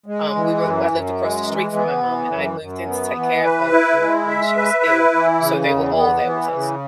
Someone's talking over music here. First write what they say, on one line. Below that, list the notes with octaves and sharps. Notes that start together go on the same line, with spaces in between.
um, we were I lived across the street from my mom, and I had moved in to take care of her when when she was ill, so they were all there with us.
G#3
E3
F#2
F#2
G#3
E3
B3
E3
F#2
F#2
B3
E3
B4
E4
G#3
E5
B4
E4
E3
C#3
E2
B3
E3
C#3